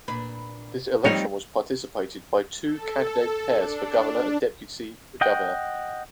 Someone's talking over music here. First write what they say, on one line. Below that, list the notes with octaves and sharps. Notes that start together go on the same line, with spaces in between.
This election was participated by two candidate pairs for governor and deputy governor.
A#2 D4 B4
F3 G3 C4 D#4 F4 C#5
A4
D4
D#5 F#5 G5